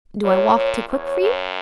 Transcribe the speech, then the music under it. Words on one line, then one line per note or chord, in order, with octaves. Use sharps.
'Do I walk too quick for you?'
A#2 C#5
A#2
E2 C#5
F#2